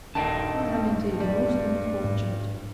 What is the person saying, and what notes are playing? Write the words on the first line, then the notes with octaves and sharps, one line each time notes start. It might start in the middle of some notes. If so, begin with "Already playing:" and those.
I am indeed most unfortunate.'
D#1 G2 D#3 A3 D4 D#5 G5 A5
G3
G#2